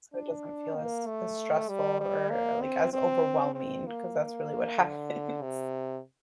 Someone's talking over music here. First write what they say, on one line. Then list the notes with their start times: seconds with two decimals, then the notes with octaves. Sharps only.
So, it doesn't feel as as stressful or, like, as overwhelming 'cause that's really what happens.
0.13 D4
0.76 A#3
1.07 A3
1.69 G3
2.00 G3
2.31 A#3
2.62 C4
2.93 C4
3.55 C4
3.86 A#3
4.79 D3
5.42 C3